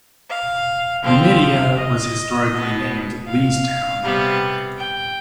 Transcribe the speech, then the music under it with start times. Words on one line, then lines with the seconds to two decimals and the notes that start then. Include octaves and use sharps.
Numidia was historically named "Leestown".
0.29 F5
1.04 D3 F3 C4 F5
1.79 D#5
2.53 B2 B3
3.27 F5
4.02 C3 G3 B3
4.78 G5